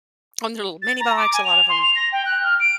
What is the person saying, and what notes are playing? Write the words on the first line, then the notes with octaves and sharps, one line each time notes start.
on their little minibikes. A lot of 'em,
A6
A#5
D6
G#5
F7
C6
F7
A#6
G5
F#6
F6
D7